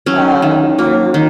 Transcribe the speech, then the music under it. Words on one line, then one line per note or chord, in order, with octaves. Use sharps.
uh, where
F#3 C#4
D#3
A#3
D#3